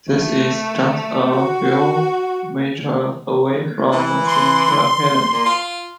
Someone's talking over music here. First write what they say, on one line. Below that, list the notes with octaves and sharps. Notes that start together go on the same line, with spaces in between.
This is just a few metres away from Saint Helen's.
A3
F#4
E3
C6
A#2
F4